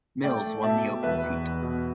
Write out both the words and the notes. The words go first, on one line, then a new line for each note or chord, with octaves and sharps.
Mills won the open seat.
A3 D5 G5
A3
B2 E5 A5
B2
E2 B4 E5
E2
E2
B2